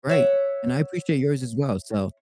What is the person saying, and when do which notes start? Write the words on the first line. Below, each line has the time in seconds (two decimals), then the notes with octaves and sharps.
Right, and I appreciate yours as well, so,
0.09 C#5 E5 F#5